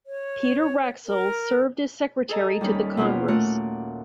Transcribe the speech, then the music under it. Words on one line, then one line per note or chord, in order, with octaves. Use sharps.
Peter Wraxall served as Secretary to the Congress.
C#5
A#4
G#4 A4 D#5 A#5
D#2 G3 C#4 D#4 B5
B2 A#3 B3 C#4 F4
A#2 A3 A#4 F#5